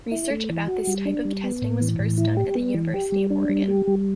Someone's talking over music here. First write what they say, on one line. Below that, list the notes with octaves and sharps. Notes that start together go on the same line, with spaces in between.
Research about this type of testing was first done at the University of Oregon.
E4
A3
E3
F#4
G3
D4
G3
B3
A2
E3
A2
E4
G4
B3
E3
G4
G3
D4
G3
G4
G3